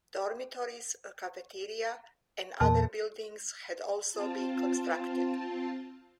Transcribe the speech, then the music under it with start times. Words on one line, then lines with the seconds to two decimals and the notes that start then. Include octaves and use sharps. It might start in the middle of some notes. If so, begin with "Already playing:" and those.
Dormitories, a cafeteria, and other buildings had also been constructed.
2.61 E2 A#2 A#4 A5
4.11 C4 F4 A5